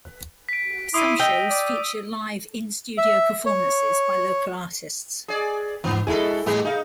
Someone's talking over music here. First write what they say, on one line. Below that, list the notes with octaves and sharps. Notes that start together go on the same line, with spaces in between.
Some shows feature live in-studio performances by local artists.
B6 D7
E4 C6 D6 D#6 D#7
D#5 G5 E6
D5
E5
C#5
G#4 D5
D#2 G#2 E3 B3
B2 G#3 E4 G#4 A4
A2 E3 G3 B3 G#4
D#4 G#4 F5